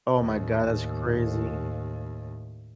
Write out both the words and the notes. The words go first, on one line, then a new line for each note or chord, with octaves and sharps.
Oh my god, that's crazy.
D#2 A2